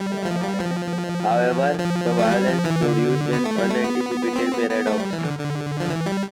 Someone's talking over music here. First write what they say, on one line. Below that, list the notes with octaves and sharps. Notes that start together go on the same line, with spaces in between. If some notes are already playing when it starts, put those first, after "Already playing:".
However, the violence produced an unanticipated paradox.
Already playing: G3
F3
G3
F3
F3
A3
G3
F3
E3
D3
B3
A3
G3
A3
B3
C4
B3
B3
A3
G3
E3
D3
D3
F3
E3
G3